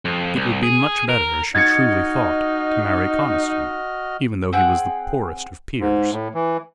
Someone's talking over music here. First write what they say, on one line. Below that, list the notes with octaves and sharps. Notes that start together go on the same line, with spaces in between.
It would be much better, as she truly thought, to marry Conniston, even though he was the poorest of peers.
F2
C2
G#4
A#4
D#4 F#4 D#5 F6 G#6 A6 C#7
C4 G#4 F#5 G5
G#2
A2
E3